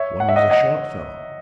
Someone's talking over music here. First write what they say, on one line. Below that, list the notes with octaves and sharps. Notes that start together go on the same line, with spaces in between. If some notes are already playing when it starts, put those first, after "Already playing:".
One was a short fellow.
Already playing: C#5 E5
F#5
E5
D#5 F#5
D#5 F#5